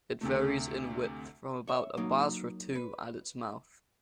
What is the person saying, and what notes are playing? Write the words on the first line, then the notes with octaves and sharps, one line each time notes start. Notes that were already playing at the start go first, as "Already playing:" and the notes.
It varies in width from about at Basra to at its mouth.
D2 C3 A3
C#5 E5
F#3 A#3 D#4
B4